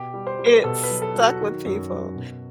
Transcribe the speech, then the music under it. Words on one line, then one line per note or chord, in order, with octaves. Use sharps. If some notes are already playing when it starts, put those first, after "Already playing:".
It stuck with people.
Already playing: B2 G4
G3
C5
G3
B4
B2 A4
B4
F#3
A4
F#3
F#4
D#3
F#2
F#3
B2